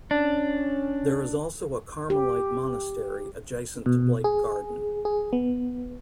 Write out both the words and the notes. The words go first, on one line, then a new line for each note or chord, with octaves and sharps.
There is also a Carmelite monastery adjacent to Blake Garden.
C#4 D4
G4
B2
G#4
G#4
B3